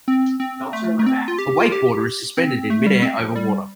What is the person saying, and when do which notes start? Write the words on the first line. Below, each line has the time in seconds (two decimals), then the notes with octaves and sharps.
A wakeboarder is suspended in midair over water.
0.08 C4
0.40 C4
0.73 A3
0.99 A3
1.06 C4
1.28 F4
1.39 G4
1.60 F4
1.72 G4
2.37 C4
2.70 A3
2.86 G3
3.02 C4
3.19 F3
3.36 G3